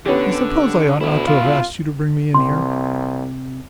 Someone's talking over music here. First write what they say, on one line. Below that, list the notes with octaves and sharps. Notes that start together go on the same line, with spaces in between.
I suppose I ought not to have asked you to bring me in here.
D3 B3 C#4 G4
D2 B2 E4
F4
C2 C3 C6